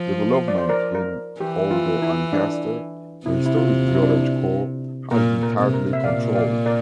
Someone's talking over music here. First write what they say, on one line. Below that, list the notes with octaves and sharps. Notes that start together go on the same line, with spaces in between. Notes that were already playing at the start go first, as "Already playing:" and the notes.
Development in "Olde Ancaster", the historic village core, has been tightly controlled.
Already playing: F3
D5
C5
A#4 D5
A#4
E3 G4
F4
E4
D4
C3 E4
E4
F4
F4
E4
D4
E4
A#2 A#4
A#4
C3
A#4
E5
A#2 D5 F5
D5 F5
A#4 D5